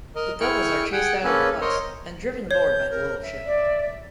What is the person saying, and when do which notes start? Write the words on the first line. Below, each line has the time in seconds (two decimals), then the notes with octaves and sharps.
The devils are chased out of the huts and driven aboard the little ship.
0.16 A#4 D#5
0.41 E4 G#4 G5 C#6 F6
0.92 G#4 F#5 G5
1.24 A#3 C#4 G#4 A4 B4
1.61 A#4 C5 C#5 D#5
2.51 C#5 G6
2.91 A#4
3.22 E5
3.46 D5